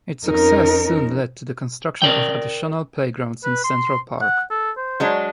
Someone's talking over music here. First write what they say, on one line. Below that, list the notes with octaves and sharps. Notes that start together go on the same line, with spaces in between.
Its success soon led to the construction of additional playgrounds in Central Park.
F2 C#4 D#4 A#4
A#4 D5 G5
B4
C6
F#5
A4
C5
F#3 G#3 D4